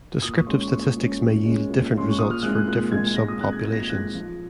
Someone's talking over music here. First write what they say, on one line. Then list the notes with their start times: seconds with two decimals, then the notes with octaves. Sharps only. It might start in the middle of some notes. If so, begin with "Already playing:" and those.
Descriptive statistics may yield different results for different subpopulations.
0.22 A#2 D#6
0.35 C#6
0.47 G#3 C#4 C6
0.60 C#6
0.71 A#2
0.96 G#3 C#4
1.20 A#2
1.45 G#3 C#4
1.69 A#2
1.94 G#3 C#4 C6
2.08 C#6
2.18 A#2 D#6
2.31 F6
2.43 G#3 C4 D#4 F#6
2.55 F#6
2.67 A#2 F#6
2.91 G#3 C4 D#4 G#6
3.16 A#2 A#6
3.28 D#6
3.40 G#3 C4 D#4 F#6
3.53 G#6
3.65 A#2 G#6
3.72 A#6
3.80 G#6
3.90 G#3 C4 D#4 F#6
4.14 F3